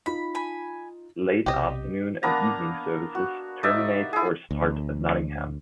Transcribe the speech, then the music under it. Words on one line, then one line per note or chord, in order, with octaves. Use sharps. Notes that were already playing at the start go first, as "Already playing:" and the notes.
Late afternoon and evening services terminate or start at Nottingham.
D#4 F4 B5
G#5 B5
B1 C3 G4 D#5
A#3 B3 D4 A#5
F#4
D#4 D5 E5
E4 G#4
D2